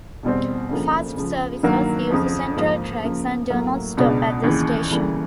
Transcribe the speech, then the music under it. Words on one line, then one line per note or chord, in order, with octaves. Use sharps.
Fast services use the central tracks and do not stop at the station.
E2 B2 G3 C4
D2 C#3 F3 A#3
C#2 C#3 F3
G2 D#3 F#3 A#3
F2 C#3 F3
G#2 F3 A#3
C#3 F3 A#3
A2 F#3 A#3
C#2 B2 G#3 B3 D4
D#2 C#3 E3
D2 C#3 E3 G3 A#3